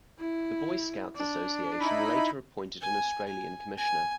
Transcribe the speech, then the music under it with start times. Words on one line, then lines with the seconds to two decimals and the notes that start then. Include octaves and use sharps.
The Boy Scouts Association later appointed an Australian Commissioner.
0.19 E4
1.16 D4
1.81 D#4 E4 B5
2.81 G#5
3.28 G#5
3.77 G#5